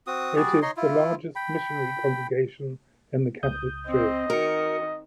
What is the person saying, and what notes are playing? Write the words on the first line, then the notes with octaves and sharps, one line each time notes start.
It is the largest missionary congregation in the Catholic Church.
C4 F#4 D#6
G3 F#4 G#4 D5
D#4 C#5 D#5 C6
E4 F4
G5 B5
C#2 D#6 G6
C4 D#5
D#3 F#4 A#4 C#7